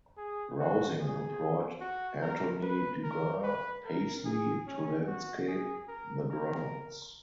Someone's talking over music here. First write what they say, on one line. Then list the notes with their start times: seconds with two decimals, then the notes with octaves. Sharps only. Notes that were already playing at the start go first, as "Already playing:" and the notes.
Rausing employed Anthony du Gard Pasley to landscape the grounds.
0.17 G#4
0.59 F#4
0.99 G#4
1.80 F#4
2.22 A#4
2.62 B4
3.03 A#4
3.44 B4
3.85 A#4
4.25 G#4
4.67 C#4
5.07 F#4
5.48 G#4
5.88 A#4
6.30 A#4